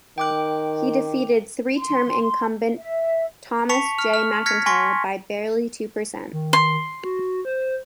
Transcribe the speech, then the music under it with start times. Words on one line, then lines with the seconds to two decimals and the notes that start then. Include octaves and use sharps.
He defeated three-term incumbent Thomas J. McIntyre by barely two percent.
0.18 D#3 G5 D6 F#6
1.78 C6
2.78 E5
3.69 A5 C#6 B6 C#7 F7
3.98 F6 F7
4.14 F6
4.46 F6 G#6 A#6 B6 C#7
4.66 G#5 C6 C#6 A#6 B6
6.33 D#3
6.53 C6
7.03 F#4
7.45 C5